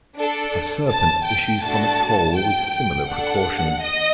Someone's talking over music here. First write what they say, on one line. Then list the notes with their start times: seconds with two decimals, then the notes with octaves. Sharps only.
A serpent issues from its hole with similar precautions.
0.16 D4 A4
0.88 A5
1.25 G5
1.61 A3 D4 F#4 A4 A5
2.35 G5
3.07 D4 A4 F#5
3.81 D#5